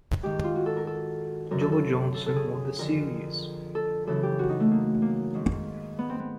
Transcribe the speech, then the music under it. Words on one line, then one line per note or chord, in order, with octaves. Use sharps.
Joe Johnson won the series.
G#2 D#3 G4
F4
F#4
A4
A#4
A4
F#2 D3 A#4
A4
A4
A4
A4
G#4
F2 D3 A#4
A4
F#2 C#3 E3 A4
G4
F#4
D#4
A3
A#3
A#3
G#2 D#3
B3
C4
B3